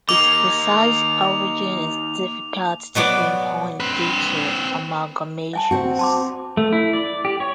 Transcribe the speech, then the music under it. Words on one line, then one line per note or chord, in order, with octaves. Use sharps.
Its precise origin is difficult to pinpoint due to amalgamations.
D#3 A#3 D6 F7
B2 F#3 B3 D5
C4 B4
E5 G#5 A5
C4 F#4
A5 C6 D6
A3
E4
D5
G4
C#5